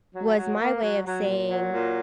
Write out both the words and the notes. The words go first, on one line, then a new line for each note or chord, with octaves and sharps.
was my way of saying,
F#3
F#3
A#3
F#3
F#3
A#2
F#3
A#2